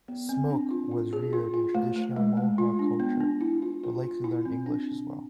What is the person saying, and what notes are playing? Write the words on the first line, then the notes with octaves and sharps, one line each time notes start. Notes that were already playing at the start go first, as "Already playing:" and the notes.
Smoke was reared in traditional Mohawk culture, but likely learned English as well.
B3
C4
D4
F4
F4
G#4
F4
F4
A3
A3
G#3
A3
F4
D4
B3
D4
E4
F4
F4
F4
E4
C4
D4